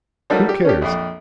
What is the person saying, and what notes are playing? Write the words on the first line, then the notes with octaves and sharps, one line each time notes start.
Who cares?
F#3 G3 A3 A#3 D#4 F#4
G4
C#4 D4 G4
A#1 F2